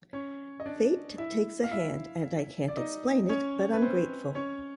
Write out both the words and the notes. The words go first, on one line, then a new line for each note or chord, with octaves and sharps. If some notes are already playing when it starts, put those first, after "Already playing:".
Fate takes a hand, and I can't explain it, but I'm grateful.
C#4 C#5
D#5
D4 D5
E4 E5
F5
E4 E5
D5
D#4 D#5
C#4 C#5
B4
C4 C5
C#4 C#5